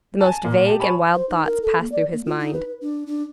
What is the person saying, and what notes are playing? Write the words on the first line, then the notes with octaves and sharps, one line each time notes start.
The most vague and wild thoughts passed through his mind.
G#5 A5
A#2
G4 A5
C#5 G#5 A5 B5
C5
D#4
A#4
A4
A#3
D5
A#3
F4
D#4
B4
D4
D4